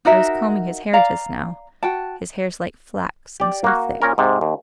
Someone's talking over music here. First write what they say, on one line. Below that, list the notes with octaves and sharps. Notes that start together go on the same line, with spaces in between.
"I was combing his hair just now; his hair's like flax, and so thick...."
D#4 F#4 A#4 E5
D5 F5 A#5
F#4 G5 A5
G4 D5
A#3 F#4
A#2 C#4 A#4
G#2 C3
D#2